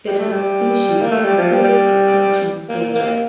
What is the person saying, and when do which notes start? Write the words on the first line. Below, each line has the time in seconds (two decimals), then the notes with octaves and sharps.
It is a species in serious extinction danger.
0.06 G3
0.19 A3
0.32 G3
1.02 A#3
1.11 A3
1.25 G3
1.38 F3
1.51 G3
1.64 G3
2.69 A#3
2.95 A#3